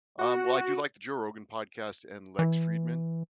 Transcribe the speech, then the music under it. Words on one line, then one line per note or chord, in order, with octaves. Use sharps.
Um, well, I do like the Joe Rogan podcast and Lex Friedman.
F#4
E3